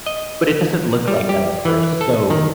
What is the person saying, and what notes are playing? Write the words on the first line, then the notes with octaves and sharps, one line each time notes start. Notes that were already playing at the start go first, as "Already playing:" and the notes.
but it doesn't look like that at first, so
D#5
G3
G4
E3
A4
D#3